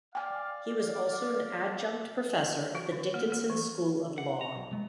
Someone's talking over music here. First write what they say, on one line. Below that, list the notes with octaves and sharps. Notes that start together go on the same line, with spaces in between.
He also was an adjunct professor at the Dickinson School of Law.
D5 F5 G5 G#5
F#4
D#3
A#3
A#3
E3
F#5
A#5
B1
G#3